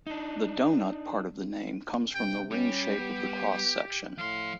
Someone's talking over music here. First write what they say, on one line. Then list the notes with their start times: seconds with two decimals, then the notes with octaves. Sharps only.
The "doughnut" part of the name comes from the ring shape of the cross-section.
0.07 D4 D#4
2.15 C3 G5
2.51 G3 C#4 G4
2.98 B3
4.18 A2 F3 F5 C6